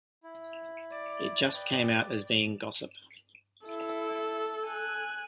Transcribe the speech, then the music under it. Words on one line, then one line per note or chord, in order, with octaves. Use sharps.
It just came out as being gossip.
E4
D5
B4 D5 D#5 G5
E4 A4
G#5 F#6